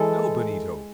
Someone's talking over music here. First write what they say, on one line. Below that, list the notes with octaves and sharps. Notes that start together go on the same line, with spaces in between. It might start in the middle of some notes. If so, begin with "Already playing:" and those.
No, Benito!
Already playing: E3 G#3 A4